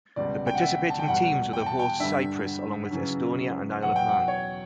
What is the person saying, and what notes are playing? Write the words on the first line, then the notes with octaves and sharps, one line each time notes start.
The participating teams were the hosts Cyprus along with Estonia and Isle of Man.
C#2 B2 G3 D5
G5
F#5
E5
A5
G5
E2 B2 G3 F#5
G5
A5
G5
G2 D3 G3 E5
F#2 C#3 E3
E2 B2 F#3 F#5
G5
F#5
C#5